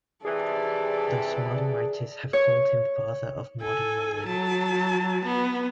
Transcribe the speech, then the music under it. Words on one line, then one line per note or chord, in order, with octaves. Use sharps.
Thus modern writers have called him father of modern rolling.
C3 E3 G#4 A4 D5
C#5
A4 G#5
F#3 A5
B3